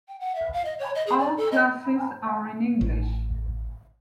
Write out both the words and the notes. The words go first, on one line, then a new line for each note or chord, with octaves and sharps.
All classes are in English.
G5
F#5
E5
F5
D#5
C#5
D#5
G#4
D5
A4
D#5
A1